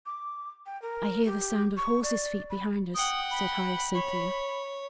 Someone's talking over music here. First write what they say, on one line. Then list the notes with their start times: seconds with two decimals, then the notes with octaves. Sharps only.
"I hear the sound of horses' feet behind us," said Hyacinthia.
0.06 D6
0.66 G5
0.82 A#4
1.26 G4
1.77 C#6
2.03 D5
2.50 B5
2.95 F#5 G5 D#6
3.31 B5
3.94 C#5